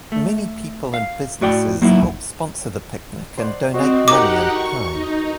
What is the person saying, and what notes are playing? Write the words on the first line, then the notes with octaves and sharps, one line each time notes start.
Many people and businesses help sponsor the picnic and donate money and time.
A3
F5
A2 F#4 D5 G5
F#3 A#3 B3 D#4 E4
C5 D5 F#5
C4 F#4 C5 D#5
D#4 G4 A4 A#4 F#5 D6
C#6
D#4